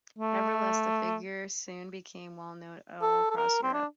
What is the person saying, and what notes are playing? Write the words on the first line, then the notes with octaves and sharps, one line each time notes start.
Nevertheless, the figure soon became well known all across Europe.
A3
A4
A4
A#4
C4
D4